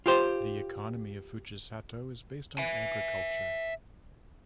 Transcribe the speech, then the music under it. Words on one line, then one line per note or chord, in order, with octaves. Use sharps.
The economy of Fujisato is based on agriculture.
F4 G4 C5
E5 G#5